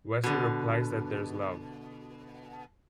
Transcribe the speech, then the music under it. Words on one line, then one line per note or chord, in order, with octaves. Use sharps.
Wesley replies that There's love.
B2 D3